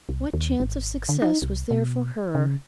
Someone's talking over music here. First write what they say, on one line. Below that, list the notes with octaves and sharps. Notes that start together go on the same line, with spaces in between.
What chance of success was there for her?
C2
D#2
G#1
D3
D#4
C2
B2
C#3